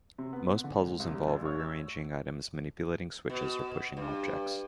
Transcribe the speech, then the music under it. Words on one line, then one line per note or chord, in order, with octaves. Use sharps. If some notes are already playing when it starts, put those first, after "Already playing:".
Most puzzles involve rearranging items, manipulating switches, or pushing objects.
C3
B3
D3
G#2
C2
G3
A1
C#5
E6
B2
G2